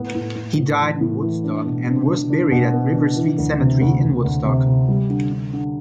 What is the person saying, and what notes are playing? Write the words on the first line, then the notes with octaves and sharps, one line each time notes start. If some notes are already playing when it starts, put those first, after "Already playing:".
He died in Woodstock and was buried at River Street Cemetery in Woodstock.
Already playing: A2 B3
A2
A2
A2
E3
A2
E3
D4
B2
D4
D4
D4
B2
B3
D4
E3
D2
C3
D2
D2
D2
C3
C3
G3
D3
D3
D3